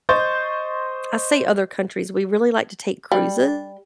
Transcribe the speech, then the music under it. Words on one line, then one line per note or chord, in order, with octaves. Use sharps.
I say other countries, we really like to take cruises,
C5 D#5 C6 C#6 G6 A6
G3